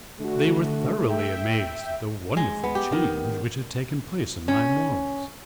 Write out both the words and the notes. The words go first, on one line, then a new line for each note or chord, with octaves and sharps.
They were thoroughly amazed at the wonderful change which had taken place in my morals.
D3 A3 F#4
E5 G5
G#3
B3
G4
D#3
C#4